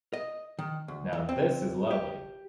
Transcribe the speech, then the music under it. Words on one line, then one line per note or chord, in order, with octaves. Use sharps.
Now this is lovely!
D#5
D#3
D2
E3
C4
G4